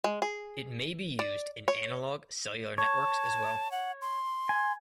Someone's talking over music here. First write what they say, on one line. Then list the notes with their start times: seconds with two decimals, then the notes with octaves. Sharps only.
It may be used in analog cellular networks as well.
0.04 G#3
0.22 G#4
1.19 D5
1.68 C#5
2.78 C#5 A5
3.72 F#5
4.02 C6
4.49 G#5